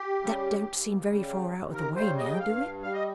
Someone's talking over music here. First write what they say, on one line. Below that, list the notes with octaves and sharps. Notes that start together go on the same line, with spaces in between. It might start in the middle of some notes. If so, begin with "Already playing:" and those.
That don't seem very far out of the way now, do it?'
Already playing: G4
C#3 G3
D#2
C#3 G3
D#2
A#4
C#3 G3 C5
D#5
G5
G2 F5
G3 F5
D#5